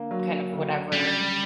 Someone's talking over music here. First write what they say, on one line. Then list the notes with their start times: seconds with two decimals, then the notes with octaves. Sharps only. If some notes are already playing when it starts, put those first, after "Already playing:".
kind of whatever
Already playing: D3 A#3
0.11 F#3
0.52 D2
0.92 C#3 G3